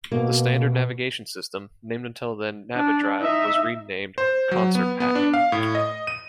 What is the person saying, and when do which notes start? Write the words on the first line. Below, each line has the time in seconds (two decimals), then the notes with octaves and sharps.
The standard navigation system, named until then "NaviDrive", was renamed "Concert Pack".
0.12 B2 A#3
2.74 D4
3.19 D#4 E5
4.18 C5
4.51 F#3
4.75 B3
5.00 B3
5.15 D4
5.34 F5
5.52 A2
5.75 D#5
6.07 D#7